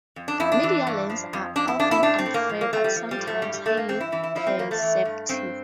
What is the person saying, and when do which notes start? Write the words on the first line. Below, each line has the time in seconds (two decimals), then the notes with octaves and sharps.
Media Lens are "often unfair but sometimes highly perceptive".
0.16 F2
0.28 D4
0.40 F2 E4
0.52 D4
0.63 E3
0.87 G2
1.09 F3
1.33 F2
1.56 F2 D4
1.68 E4
1.79 F2 D4
1.91 E4
2.03 A2 D4
2.18 C4
2.26 A2
2.34 A#3
2.49 F3
2.61 A#3
2.73 F3 A3
2.84 G3
2.96 F3
3.11 G3
3.19 A2
3.27 A3
3.42 G2 G3
3.54 G3
3.65 G2 A3
3.77 A#3
3.88 E3 C4
4.00 E4
4.12 E3 E4
4.23 E4
4.35 F3 E4
4.47 C4
4.59 E2 A#3
4.71 A3
4.82 E3
5.05 G2
5.29 G2 C4